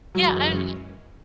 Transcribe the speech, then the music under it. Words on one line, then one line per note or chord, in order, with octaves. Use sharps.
Yeah, and
F#2 C#3 E3 F#3 G#3 C#4